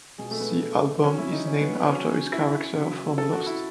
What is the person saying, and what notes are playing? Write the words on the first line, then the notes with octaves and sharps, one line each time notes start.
The album is named after his character from "Lost".
B2 G#3 G#4
A3
B3
A3
C#3 F#3 C#4
E4
D#4
C#4
B3
B3
C#3 F#3 C#4
C#4
E4
C#3 F#3
A4
F#4
E4